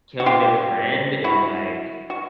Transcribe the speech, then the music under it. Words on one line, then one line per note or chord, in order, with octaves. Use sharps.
killed their friend and, like,
F#4
F4 G4
E4 F#4
F#4